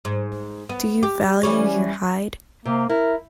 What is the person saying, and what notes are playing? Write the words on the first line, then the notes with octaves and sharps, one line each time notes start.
Do you value your hide.
G#2
B3
G4
E3 G3 C#4
C3 A#3
E4 A#4